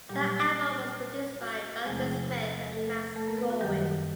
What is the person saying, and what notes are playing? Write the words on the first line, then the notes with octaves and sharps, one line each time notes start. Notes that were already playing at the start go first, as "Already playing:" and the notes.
The album was produced by Jonathan Smith and Max Corwin.
A#2 F#3 G3 A#3 G4
F#4
E2 C3 F3 G#3 A3 C4 G#4
A3 A4
A3 A4
A#3 A#4
B3 B4
F#4
F#2 D#3 F#3 G3 G4